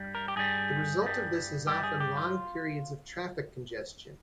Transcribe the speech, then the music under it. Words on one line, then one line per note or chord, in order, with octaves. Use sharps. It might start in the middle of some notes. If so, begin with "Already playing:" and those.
The result of this is often long periods of traffic congestion.
Already playing: G2 G3
A#4
G4
G2 G3 G#4
G2 G3
G2 G3 G4
G#4
G4
F4